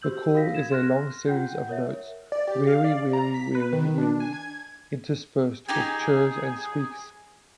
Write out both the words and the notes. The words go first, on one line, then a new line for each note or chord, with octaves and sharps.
The call is a long series of notes, "weary-weary-weary-weary", interspersed with churrs and squeaks.
F#4 G4 C5 E6 G6 F#7
F#4 A#4 F5 A#6 B6
G#6 E7
C6 F6 F#6 A#6
F4 F#5 G5 G6
A#4 C#5 E5
D5
G4
F5
D5
A#5
B6
B4
D#3
D4
G#5
G#6
D#4 G4 G#4 G#5